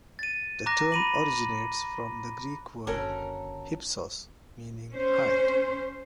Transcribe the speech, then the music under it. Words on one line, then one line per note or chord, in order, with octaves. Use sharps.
The term originates from the Greek word "hypsos" meaning height.
A6 D#7
A#5 D6 F#6 A#6
B5 D#7 F#7
F#1 D3 C#4 F#4 A4 A#4
C#4 C5